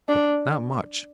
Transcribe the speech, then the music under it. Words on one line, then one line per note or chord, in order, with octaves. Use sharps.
But not much.
D4